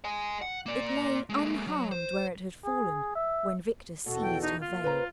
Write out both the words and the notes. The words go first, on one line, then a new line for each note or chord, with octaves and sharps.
It lay unharmed where it had fallen when Victor seized her veil.
D#5 G#5
F#5
A#3 D5
G#3 A#3
F#3
C5
G#4
E5
E2 B2 F#4 A4
G5
D#4
A#2 F4
B4 C5 A#5